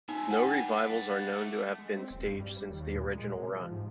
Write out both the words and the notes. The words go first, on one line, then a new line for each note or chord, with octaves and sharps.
No revivals are known to have been staged since the original run.
G#3 D#4 E5 G#5
B4 D5 F#5 G5
A3
G#3
C4
D#1
G2
G3
G3
D#2
A#2
G#3
C3
F3
G#2